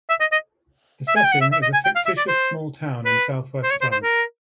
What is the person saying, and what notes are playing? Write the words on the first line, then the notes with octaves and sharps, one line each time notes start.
The setting is a fictitious small town in southwest France.
E5
D#5
D#5
E5
G#5
G5
F#5
E5
E5
D#5
G#5
G5
F5
E5
D5
C5
B4
C5
C#5
C5
C5
A#4